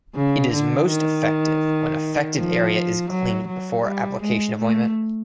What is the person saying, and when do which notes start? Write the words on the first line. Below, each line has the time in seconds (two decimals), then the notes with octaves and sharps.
It is most effective when affected area is cleaned before application of ointment.
0.15 C#3
0.53 D3
0.89 D#3
2.37 F3
3.10 F#3
3.47 F#3
3.84 G3
4.22 G#3
4.58 A3